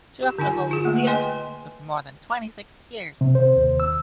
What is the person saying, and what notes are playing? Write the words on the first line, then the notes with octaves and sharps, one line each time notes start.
Two of the holy steers lived more than twenty-six years.
G4
D3 D#4 F4 G#5
F4 G#4
A3 A#3
B4 D#5 G5 G#5 C6
C3
C5
D#2
E6